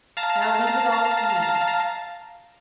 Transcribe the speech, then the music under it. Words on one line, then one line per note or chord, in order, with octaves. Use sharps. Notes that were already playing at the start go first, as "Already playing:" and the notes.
Now leave it all to me!
F5 A5 A#5